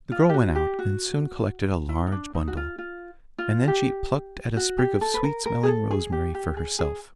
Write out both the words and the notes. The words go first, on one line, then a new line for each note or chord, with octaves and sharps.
The girl went out, and soon collected a large bundle, and then she plucked at a sprig of sweet-smelling rosemary for herself.
F4
G4
F#4
G4
F#4
E4
D#4
D4
D#4
F#4
F4
F4
F4
G4
F#4
G4
A4
B4
A#4
A#4
G#4
A4
G#4
G4
G4
G#4
G#4